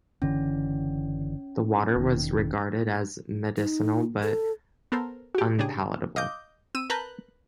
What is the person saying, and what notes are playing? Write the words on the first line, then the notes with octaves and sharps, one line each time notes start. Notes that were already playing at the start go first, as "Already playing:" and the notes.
The water was regarded as medicinal but unpalatable.
F#1 D3 E3 C#4
E1 D#3
D#4
A4
B3 A4 A#4 C5
F#4 G4
C#3 D4 G4 G#4
D#5 F5 D6 G6
C4 E6 D#7
A#4 B4 A5 A#5 F#6 G6